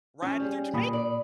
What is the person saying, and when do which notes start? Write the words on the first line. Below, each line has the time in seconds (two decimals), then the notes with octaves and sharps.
riding through Jamai
0.22 F3 C#4
0.40 G3 G#4
0.74 A#2 B5 D#6
0.93 D5